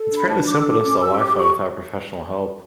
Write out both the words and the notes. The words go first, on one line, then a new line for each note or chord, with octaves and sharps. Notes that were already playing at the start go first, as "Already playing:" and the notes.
It's fairly simple to install wi-fi without professional help.
Already playing: A4
D4
B5
A5
D4
D6
A4 E6
D6
C#4 D6
E6
G4
D6
G4
C#6